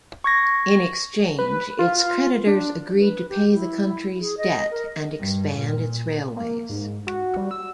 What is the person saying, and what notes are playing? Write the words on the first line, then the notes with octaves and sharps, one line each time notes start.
In exchange, its creditors agreed to pay the country's debt and expand its railways.
C#6 G#6 A#6
B4
F4
D4
B4
G4
E4
G#4
D#5
A#4
G2
A#2
A#3
G#2
F#4
G3
E6